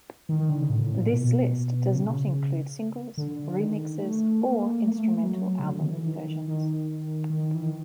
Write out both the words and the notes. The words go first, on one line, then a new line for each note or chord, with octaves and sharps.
This list does not include singles, remixes or instrumental album versions.
D#3
D#3
D3
C#3
A2
A2
A#2
B2
C#3
D3
D3
D#3
A3
A#3
A3
A#3
A3
F#3
C#3
D3
D#3
E3
D#3
D#3
D#3
E3
D#3